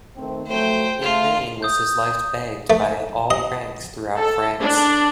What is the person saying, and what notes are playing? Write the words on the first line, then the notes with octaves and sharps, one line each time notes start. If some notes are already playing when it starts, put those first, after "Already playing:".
In vain was his life begged by all ranks throughout France.
D#3 A3 C4
F3 F#3 A3 C5 G5
A3 F4
D#6 G6
A3
D#5
A4
D4